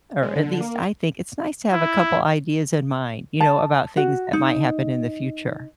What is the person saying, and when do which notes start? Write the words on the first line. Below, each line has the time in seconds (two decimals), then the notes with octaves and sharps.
or at least, I think, it's nice to have a couple ideas in mind, you know, about things that might happen in the future.
0.23 G#3
0.36 D3
0.61 A#3
1.73 E4
3.40 A5
3.97 F#4
4.33 D#4